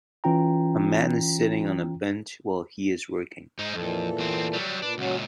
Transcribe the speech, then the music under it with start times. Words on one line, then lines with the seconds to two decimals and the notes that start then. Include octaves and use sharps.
A man is sitting on a bench while he is working.
0.24 E3 C#4 F4 G5 A#5
3.59 G#2 D#4
3.75 F2 A#2 E3 A4
4.18 E2 C4
4.53 F#3 G3
4.82 A#2 D4 B4
4.98 C#2 A#2 F#3 C#4 F#4